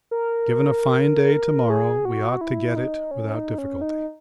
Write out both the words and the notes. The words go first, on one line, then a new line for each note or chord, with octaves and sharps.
Given a fine day to-morrow we ought to get it without difficulty.
A#4
G#4
F#4
E4
D#4
C#4
D#4
C#4
D#4